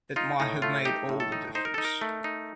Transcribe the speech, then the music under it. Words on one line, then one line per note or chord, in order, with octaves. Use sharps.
It might have made all the difference.
D#4 F4
A2 D#4
A3 F4
D#4 G4
A2
A4
D#4
D#4 C5
A#4
D#4 A4
A#4
A3
D#4